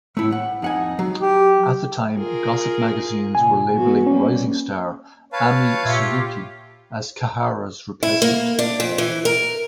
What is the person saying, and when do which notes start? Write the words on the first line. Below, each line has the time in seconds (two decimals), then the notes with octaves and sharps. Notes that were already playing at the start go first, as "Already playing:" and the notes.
At that time, gossip magazines were labeling rising-star, Ami Suzuki, as Kahara's replacement.
0.17 A2 A3 E4
0.32 F#5
0.62 F2 D#4 F#5 G#5
0.99 F#3
1.21 G4
2.17 F4 G#4 A#4
3.35 A#2 C#3 F4 G#5
3.74 E3 B3 F#4
4.06 G3 A#3 B3 C#4
5.33 B4 C#5 F5 A5
5.85 A#2 F4 G4 E5 E6
8.03 E4
8.22 A#3
8.59 D4
8.80 F2
8.98 E3
9.25 A#4